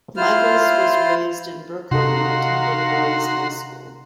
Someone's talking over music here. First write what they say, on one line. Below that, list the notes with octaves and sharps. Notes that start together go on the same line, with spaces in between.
Michaels was raised in Brooklyn and attended Boys High School.
E4 F4 C5 F6
C3 D#4 F#4 A4 F5 F#5 A#5 C6